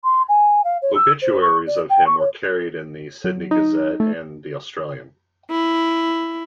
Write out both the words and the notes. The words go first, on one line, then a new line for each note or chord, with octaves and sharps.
Obituaries of him were carried in the "Sydney Gazette" and "The Australian".
C6
G#5
F5
C#5
E6
C5
C#6
D5
G5
C#6
C#5
F#3
D#4
A3
E4